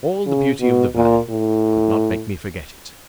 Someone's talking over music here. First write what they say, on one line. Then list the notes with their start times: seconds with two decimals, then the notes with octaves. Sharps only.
All the beauty of the valley could not make me forget it.
0.26 C#3
0.60 B2
0.95 A#2
1.30 A2